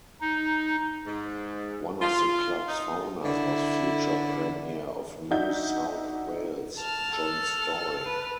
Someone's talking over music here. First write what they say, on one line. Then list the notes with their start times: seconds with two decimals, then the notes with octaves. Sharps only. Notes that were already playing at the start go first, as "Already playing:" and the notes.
One of the club's founders was future Premier of New South Wales, John Storey.
0.21 D#4
1.06 G#2
2.01 F4
2.67 D#4
3.24 D3 E4
5.31 D4 D#4 F#4 E5 G6
6.77 A5 F6
7.10 A4
8.05 B4